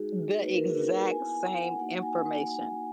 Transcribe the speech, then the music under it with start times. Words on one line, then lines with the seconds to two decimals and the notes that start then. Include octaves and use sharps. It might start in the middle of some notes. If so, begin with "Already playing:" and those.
The exact same information.
Already playing: G#3 D#4 F#4 G#4
0.41 A#3 D#4 F#4 B4
0.54 A#4
0.68 G#4
0.81 A#4
1.11 B3 E4 G#5
1.28 G#5
1.62 F#5
1.79 A#3 D#4 F#4 F#5
2.02 G#5